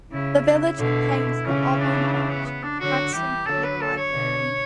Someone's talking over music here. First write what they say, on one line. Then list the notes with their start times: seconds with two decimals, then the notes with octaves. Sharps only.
The village contains the Auburn Branch of the Cranston Public Library.
0.11 C#3 E4
0.78 B2 D3
1.45 C#3 E3 C#4
1.79 D4
2.12 D4
2.30 B3
2.46 B3
2.63 D4
2.80 D3 F#3 F#4
3.13 E3 G3 G4
3.46 D3 F#3 A4
3.64 B4
3.81 A4
3.97 C#5
4.14 B2 D3